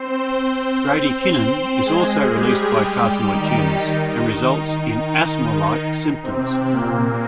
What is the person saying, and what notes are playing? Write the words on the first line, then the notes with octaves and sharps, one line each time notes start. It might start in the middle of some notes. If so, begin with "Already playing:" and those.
Bradykinin is also released by carcinoid tumors, and results in asthma-like symptoms.
Already playing: C4 C5
C4 C5
C4 C5
G#3 G#4
G3 G4
G3 G4
D#3 D#4
D#3 D#4
C3 C4
A#2 A#3